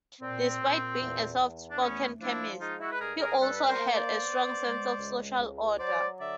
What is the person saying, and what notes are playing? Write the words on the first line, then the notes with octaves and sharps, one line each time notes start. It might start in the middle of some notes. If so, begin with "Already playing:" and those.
Despite being a soft-spoken chemist, he also had a strong sense of social order.
A#2 C4
A#2
E2
E2
D4
A3 B3 C#4
F3 D4 E4
G#3 D#4 F4
E4 F#4
B4
G2 G#4 A#4
G#4 A#4
G3 A4 B4
B4
A#4 C5
A#3
C5 D5
B3
G#3
C#2
C#2
F#3 C5 D5
D3 D5 E5